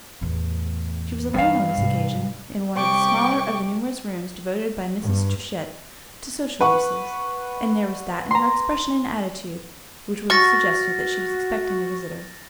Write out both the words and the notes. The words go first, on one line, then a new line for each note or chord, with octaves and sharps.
She was alone on this occasion, in one of the smaller of the numerous rooms devoted by Mrs. Touchett to social uses, and there was that in her expression and attitude which would have suggested that she was expecting a visitor.
E2 A2
G2 E3 D4 F5
G#2 C3
C3 G3 G5 C#6 D6
G2
B4 F#5 C#6
A#5 C6
F#4 C#6 F6 A6 A#6